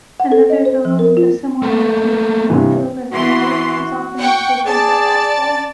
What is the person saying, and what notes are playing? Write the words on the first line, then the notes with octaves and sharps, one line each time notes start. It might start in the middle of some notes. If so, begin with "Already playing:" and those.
Another villain with a similar motif, named Overthrow, was often mistaken for Fastball.
F#5
A4
D#5
C5
F3
A#4
F4
A3 A#3
G2 C3 E3
E3 B3 F#4 C6
F#5 G5 C#6
G#4 D5 A5 A6